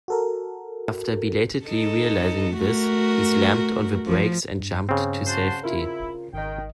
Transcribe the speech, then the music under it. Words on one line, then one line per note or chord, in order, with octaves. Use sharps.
After belatedly realising this, he slammed on the brakes and jumped to safety.
F#4 A4 A#4
D#4 A4
A3 F#4 A#4
F3
G2
C#3 C4
F#4 C5 A5
E4 F4 A#4
G#1 D#3 D#5 G5